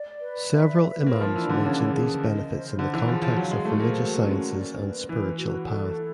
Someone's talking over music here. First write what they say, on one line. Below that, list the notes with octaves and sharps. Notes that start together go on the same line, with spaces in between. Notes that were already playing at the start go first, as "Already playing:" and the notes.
Several Imams mentioned these benefits in the context of religious sciences and spiritual path.
Already playing: D5
B4
E5
B4
A#3 F4
F3
E3 D4
D3
C#3 C#5
G#4
D#5
C5
D3 C5
E3
F3 G#4
F3
F#3 F5
G#3
A3 C5
A#3
F#4
C#4
D5
B4
E3 B4
F#4
A4
E4